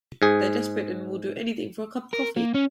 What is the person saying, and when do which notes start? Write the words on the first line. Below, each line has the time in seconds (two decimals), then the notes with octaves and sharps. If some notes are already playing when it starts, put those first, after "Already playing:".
They're desperate and will do anything for a cup of coffee.
0.22 G#2 G#4
2.13 A#4
2.36 A#3
2.54 C#4